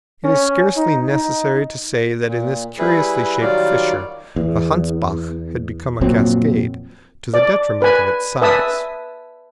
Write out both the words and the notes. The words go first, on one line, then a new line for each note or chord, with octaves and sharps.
It is scarcely necessary to say that in this curiously shaped fissure the Hansbach had become a cascade to the detriment of its size.
C#4
D#4
D#4
A#2
G3 E4 G#4 B4
D#3 F#3 G3 F4 D5
E2
F2 A#2 F#3 C4
D5
B4 G#5
B4 E5 G#5 A5 D#6 E6